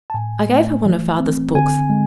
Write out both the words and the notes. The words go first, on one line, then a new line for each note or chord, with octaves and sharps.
I gave her one of father's books.
A5
A2 G#5
A3
E3
C4
D3 G#5
G#3